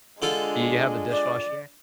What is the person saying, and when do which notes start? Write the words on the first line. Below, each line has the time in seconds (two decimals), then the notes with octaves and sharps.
Do you have a dishwasher?
0.22 D3 G#3 D4 F4 A4
1.10 D5